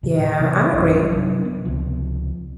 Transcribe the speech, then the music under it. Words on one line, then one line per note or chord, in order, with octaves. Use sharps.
Yeah, I agree.
A2 C#3
C3 E3 F3 B3
A#1 F#2 C#4
C3 F#3 D4
B3
C#2 C3 F3